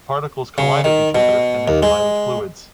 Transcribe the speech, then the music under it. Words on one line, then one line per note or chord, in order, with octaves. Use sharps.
Particles collide with each other, and they collide with fluids.
C#3
D#3
B2
D#2
G#3